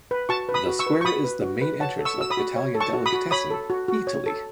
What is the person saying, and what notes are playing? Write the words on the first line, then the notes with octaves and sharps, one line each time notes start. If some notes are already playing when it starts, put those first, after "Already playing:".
The square is the main entrance of Italian delicatessen Eataly.
B4
F#4 A5 C#6
B4
B5 D#6
F#4
C#6 E6
B4
C#6
F#4 B5 D#6
B4
F#4
B4
C#5 F#5 A5
A4
C#6 E6
F#4 E6
B5 D#6
F#4
C#5
A4
A5 C#6
F#4
B5 D#6
F#4
C#5 B5 D#6
A4
F#4
F#4
C#5
A4